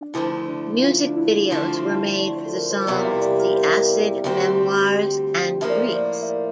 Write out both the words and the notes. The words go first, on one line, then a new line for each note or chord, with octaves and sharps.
Music videos were made for the songs "The Acid Memoirs" and "Grease".
D4
D2 D3 F3 A3 E4
D4
D4
F4
D4
E4
D3 F3 A3 C4 E4
F4
F4
E4
F4
D5
C5
A4
A#4
C5
E2 C3 G3 A#3 E4 D5
E5
D5
A#4
C5
D2 D3 G3 C4
A2 F3 A#3 E5
D5
C5
D5
D5
E5
D5